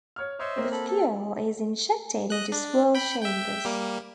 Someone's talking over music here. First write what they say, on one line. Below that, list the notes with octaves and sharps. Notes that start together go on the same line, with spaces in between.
The fuel is injected into swirl chambers.
C#5 F6
C5 C#5 D#5 E5
A#3 C4
A4 B5
A4
D#5 F#6
D4
G5 B5
E5 G5
G3 A#3